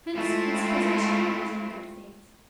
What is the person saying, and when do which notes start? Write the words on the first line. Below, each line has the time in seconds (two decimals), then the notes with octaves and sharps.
Hence his possession was in good faith.
0.13 G#3 A3 C4 E4 F4